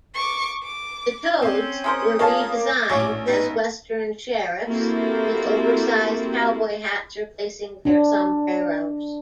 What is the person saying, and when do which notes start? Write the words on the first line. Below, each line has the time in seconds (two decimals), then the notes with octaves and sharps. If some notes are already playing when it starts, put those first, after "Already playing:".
The toads were redesigned as western sheriffs with oversized cowboy hats replacing their sombreros.
0.14 C#6 D6
0.63 D6
1.42 C4 C#4
1.84 G#3 A#4 C5 D#6
2.19 A#3 F4 G#4 C#5 A5
2.57 D6
2.89 A#1 A2 C#4 F#4 C#5
3.25 B3 D#4 B4
4.66 A#3 C4 E4 F#4 G4 A4
7.85 D4